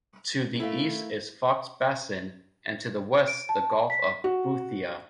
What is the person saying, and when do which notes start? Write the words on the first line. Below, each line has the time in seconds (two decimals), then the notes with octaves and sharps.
To the east is Foxe Basin and to the west the Gulf of Boothia.
0.60 A3 E4 A#4 F5
3.28 D7
3.49 A5
3.90 B6
4.24 F#4